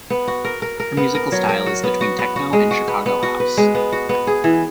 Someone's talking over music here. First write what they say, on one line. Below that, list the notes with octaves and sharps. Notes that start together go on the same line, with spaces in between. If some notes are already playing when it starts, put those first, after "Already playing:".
Her musical style is between techno and Chicago House.
B3
F#4
A#4
A#4
A#4
B3
A#4
F#3
A#4
F#4
B3
F#4
B3
F#4
G#3
F#4
B3
B3
F#4
B4
G#3
B3
F#4
B3
G#4
E3